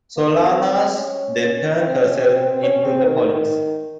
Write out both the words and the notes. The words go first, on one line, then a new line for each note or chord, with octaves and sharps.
Solanas then turned herself in to the police.
A#3
C4
C#4
C4
C#4
C4
C4
C#4
C4
D#3